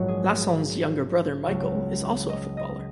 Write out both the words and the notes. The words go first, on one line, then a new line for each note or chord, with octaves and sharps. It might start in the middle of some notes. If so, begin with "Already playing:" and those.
Lacen's younger brother, Michael, is also a footballer.
Already playing: A#1 G#2 F#3 F#4
G#4
G#4
C#2 C#3 F#3
D#5
D#5